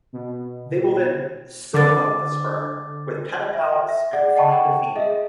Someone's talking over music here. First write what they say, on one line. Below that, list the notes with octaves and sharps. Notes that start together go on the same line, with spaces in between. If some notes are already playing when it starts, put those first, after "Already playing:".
They will then "soak" up the sperm with its pedipalps and find a female.
B2
D3 D6 A6
E5
E5
G#4 D5 F#5
D#5 F#5 G5 A5 C#6
G#4 D#5 E5